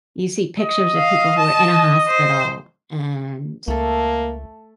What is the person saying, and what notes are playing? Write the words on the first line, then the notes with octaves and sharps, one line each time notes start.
you see pictures of people who are in a hospital, and
D#5
F5
A5
C5
C#2 A3 A#3 A4